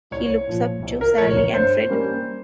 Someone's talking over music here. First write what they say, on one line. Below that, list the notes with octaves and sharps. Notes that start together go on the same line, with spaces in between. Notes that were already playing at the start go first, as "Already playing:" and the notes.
He looks up to Sally and Fred.
C2 C#5
A#2 F3
C2
A#4
A#2 F3 C#5
C#5
G2 C5
G3 A#3 C#4